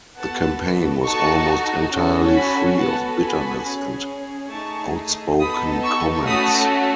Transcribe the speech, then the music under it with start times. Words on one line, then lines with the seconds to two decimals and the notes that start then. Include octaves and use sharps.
The campaign was almost entirely free of bitterness and outspoken comments.
0.18 B3 F#4 A4 F#5 A5
1.05 D#4 F#4 A4 A5 C#6
1.93 C#4 F#4 A4
2.36 G#5 B5
2.79 B3 F#4 A4 F#5 A5
3.22 G#5 B5
3.66 C#4 G#4
4.53 A3 D#4 G#4 A5 C#6
5.40 B3 D#4 A4 B5 D#6
5.83 C#6 E6
6.27 A3 C#4 F#4 A4 B5 D#6